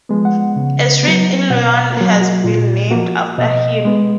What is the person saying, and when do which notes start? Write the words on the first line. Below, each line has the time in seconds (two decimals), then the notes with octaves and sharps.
A street in Lyon has been named after him.
0.09 F3 G#3 B3
0.25 F#5
0.56 C#3
1.03 F#3 B3
1.50 B2 F#5
1.74 F5
1.97 F#3 A#3 A#4
2.21 F#4
2.44 A#2 F4
2.91 F3 A#3 F#4
3.38 B2 D#5
3.85 G#3 B3